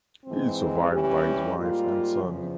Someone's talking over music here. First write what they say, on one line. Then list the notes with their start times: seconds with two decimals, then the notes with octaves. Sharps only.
He is survived by his wife and son.
0.25 G#2 E3 G#3 C4
0.91 E3 G3 C#4 G4
1.57 G#2 G3 A#3 F4
2.23 E2 C#3 F3